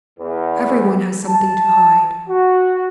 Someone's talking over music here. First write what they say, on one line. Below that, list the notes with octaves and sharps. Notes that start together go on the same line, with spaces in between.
Everyone has something to hide.
E2
A5
F#4